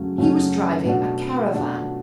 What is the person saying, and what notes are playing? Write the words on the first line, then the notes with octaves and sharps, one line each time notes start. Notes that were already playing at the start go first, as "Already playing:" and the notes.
He was driving a caravan.
Already playing: F#2 C#3 F#3 A3 C#4
F#2 C#3 F#3 A3 C#4
B2 A3 D4 F#4
B2 A3 D4 F#4